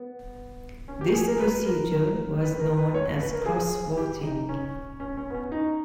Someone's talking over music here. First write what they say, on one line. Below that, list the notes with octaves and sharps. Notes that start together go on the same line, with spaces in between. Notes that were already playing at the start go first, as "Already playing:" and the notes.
This procedure was known as 'cross-voting'.
Already playing: B3
C#4
G4
G#4
A#4
B4
A#4
A#4
B4
A#4
B4
C#5
B4
A#4
G#4
G4
D#4
C#4
C#4
C#4
B3
C#4
D#4